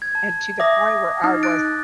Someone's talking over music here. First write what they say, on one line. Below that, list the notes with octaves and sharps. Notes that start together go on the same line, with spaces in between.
and to the point where I was
G#6
A5
E5 D6 D#6 A#6
D#4
F#6 A6 D7